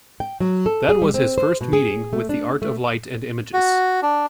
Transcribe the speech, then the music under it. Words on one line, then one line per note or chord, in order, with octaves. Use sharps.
That was his first meeting with the art of light and images.
G5
F#3
A4
G#4
G3
C4
C5
B2
G#4
A3
D4
A3
F#4
D4